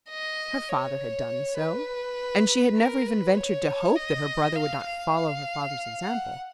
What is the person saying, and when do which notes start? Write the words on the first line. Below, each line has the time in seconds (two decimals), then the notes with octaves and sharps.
Her father had done so, and she had never even ventured to hope that her brother would not follow her father's example.
0.10 D#5
0.69 C#5
1.58 B4
2.77 A#4
3.07 B4
3.37 C#5
3.96 D#5
4.56 F5
4.86 F5
6.04 F#5